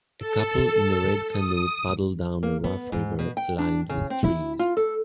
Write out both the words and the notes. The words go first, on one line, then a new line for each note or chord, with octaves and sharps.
A couple in a red canoe paddle down a rough river lined with trees.
A4
D#6
A#3
B3
G#2
B2
G5
D4
C#3
C4
E4
F4
A4